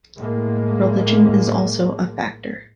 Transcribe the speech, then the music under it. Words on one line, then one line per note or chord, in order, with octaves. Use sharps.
Religion is also a factor.
A2 G#3 A#3